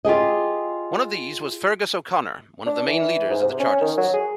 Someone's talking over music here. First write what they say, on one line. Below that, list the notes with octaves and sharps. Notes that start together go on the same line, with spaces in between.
One of these was Feargus O'Connor, one of the main leaders of the Chartists.
F4 G4 G#4 D#5
D4
E3
G#2
C3
C#4
D#3
F#3
G#4